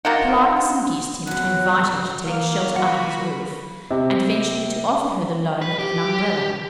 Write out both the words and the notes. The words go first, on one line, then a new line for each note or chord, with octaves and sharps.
Politeness induced him to invite her to take shelter under his roof, and eventually to offer her the loan of an Umbrella.
D#3 A#3 F4 F#4
F#2 B2 F#3 F#5
E3 A#3 F6
F#3 F4 F#4 F#5 B5
C3
B4
G4